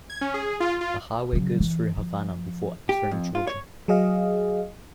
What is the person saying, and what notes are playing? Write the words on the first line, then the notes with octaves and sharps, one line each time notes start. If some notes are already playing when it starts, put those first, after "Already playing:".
The highway goes through Havana before entering Georgia.
G#6
C#4
G#4
F4
F4
C#3 F#3
E3
F3
G4
F2
F4
C#5
F#3 G#4 D#5 F5